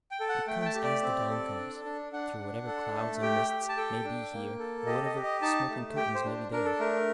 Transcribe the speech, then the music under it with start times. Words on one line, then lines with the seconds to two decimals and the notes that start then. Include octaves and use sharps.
It comes as the dawn comes, through whatever clouds and mists may be here or whatever smoke and curtains may be there.
0.11 G5
0.20 A4
0.29 F#5
0.47 A3 G5
0.61 G5
0.66 A5
0.75 G4
0.84 D5
1.02 C4
1.30 A4
1.57 D4
1.85 D4
2.12 D4 F#5
2.40 D4
2.67 A4
2.95 A3
3.22 G4 G5
3.50 G4
3.69 A5
3.77 A4 G5
4.05 D4
4.33 A#3
4.59 A4
4.86 G4 D#5
5.06 D#5
5.14 G4
5.24 D#5
5.42 D#4 A5
5.69 A3
5.96 G4 G5
6.14 C5
6.25 D4
6.52 D4 A#4
6.65 A4
6.79 A3 A#4